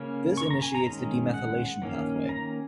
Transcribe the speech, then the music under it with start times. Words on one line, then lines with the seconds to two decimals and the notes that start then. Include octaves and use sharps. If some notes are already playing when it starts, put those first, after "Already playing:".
This initiates the demethylation pathway.
Already playing: C#3 A#3 C#4
0.37 C#6
0.50 A#5
0.62 G#5
0.75 A#5
0.86 D#3 G#3 C#4
1.34 F#5
1.82 D#3 A#3 C#4
2.29 A#5